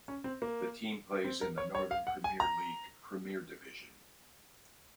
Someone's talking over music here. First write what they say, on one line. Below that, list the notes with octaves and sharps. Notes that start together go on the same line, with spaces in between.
The team plays in the Northern Premier League Premier Division.
C#4
C4
A#3
C4
A#4
C#5
C#5
F5
F#5
G#5
A#5